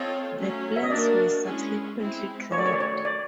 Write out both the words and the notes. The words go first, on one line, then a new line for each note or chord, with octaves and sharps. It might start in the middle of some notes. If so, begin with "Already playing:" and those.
The plans were subsequently dropped.
Already playing: C4 F4 A4 C#5 D#5
F#3 A3 C#4
E5
D#5
A#3 D4 F#4 A#4 D5
G#3 C#4 E4 G#4
G#3 C4 E4
D#3 F#3 A3 C#5
D5
C#5
D5
C#5
D5